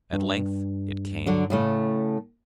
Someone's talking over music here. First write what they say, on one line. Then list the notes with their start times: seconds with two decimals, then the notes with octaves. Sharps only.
At length it came.
0.13 G2
1.26 D3 F#3 D4
1.50 A2 C#3 A3